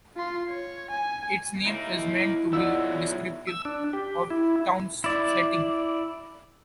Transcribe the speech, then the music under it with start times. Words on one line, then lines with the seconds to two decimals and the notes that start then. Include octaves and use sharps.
Its name is meant to be descriptive of the town's setting.
0.17 F4 C6
0.49 C#5
0.91 G#5
1.66 A#3 D#4 E4
2.53 F#3 G#3 B3 D#4 F4 D5 E6
3.47 E6
3.65 D4
3.93 G4
4.30 E4
5.04 E4 D5